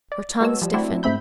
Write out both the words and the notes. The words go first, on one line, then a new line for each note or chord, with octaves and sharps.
Her tongue stiffened.
D5
G#3 B3 F#4 C#5 A5 E6
F3 G3
A3 C4 D4 E4 F#4
G#2 A3 C4 E5 B5 G6